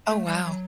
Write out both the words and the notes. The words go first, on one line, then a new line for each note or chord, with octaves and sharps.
Oh, wow.
A3
G3
F#3